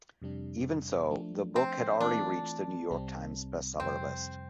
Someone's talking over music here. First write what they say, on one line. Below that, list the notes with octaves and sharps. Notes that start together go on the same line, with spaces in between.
Even so, the book had already reached the "New York Times" bestseller list.
F2 C3 G3 D4
F3 A3 D4
C4
E3 A3 C4 D4 F4
C2 C3 G3 C4
F2 C3 G3 C4